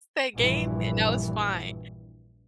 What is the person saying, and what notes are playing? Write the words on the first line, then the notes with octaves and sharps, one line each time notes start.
That game, and that was fine.
A#1 G2 E3